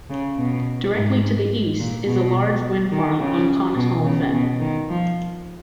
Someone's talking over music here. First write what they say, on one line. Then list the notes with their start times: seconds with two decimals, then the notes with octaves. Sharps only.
Directly to the east is a large wind farm on Conisholme Fen.
0.10 C#3
0.38 B2
0.94 G#2
1.78 A#2
2.07 B2
2.92 D#3
3.20 C#3
3.76 B2
4.04 C#3
4.32 B2
4.60 D#3
4.89 F3